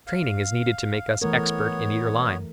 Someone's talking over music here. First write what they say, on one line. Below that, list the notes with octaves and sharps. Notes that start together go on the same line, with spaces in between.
Training is needed to make us expert in either line.
F5
E3 A3 B3 A#4 C#5